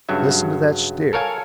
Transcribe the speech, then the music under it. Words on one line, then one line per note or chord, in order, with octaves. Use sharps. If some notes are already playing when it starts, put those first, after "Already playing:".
"Listen to that steer."
G2 C#3 F#3 E5
A4 A#4 C#5 F5 G#5